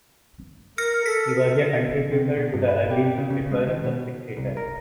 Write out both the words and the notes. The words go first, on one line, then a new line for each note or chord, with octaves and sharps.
He was a contributor to the early newspaper "The Spectator".
A#4 F6 A#6 C#7
A4 B6 C#7
C3
B2
G2
B4
G4
C#3
C#3
G#3
D#3
B2
C2
A#4